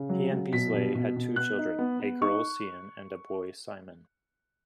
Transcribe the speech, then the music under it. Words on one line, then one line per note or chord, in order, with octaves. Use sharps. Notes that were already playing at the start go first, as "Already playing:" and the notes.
He and Beazleigh had two children, a girl Sian and a boy Simon.
Already playing: C#3
F#3
F#3
B2 B6
B2
B2
B2
B3 F#6
D#4
B3
B3
D#4 C#6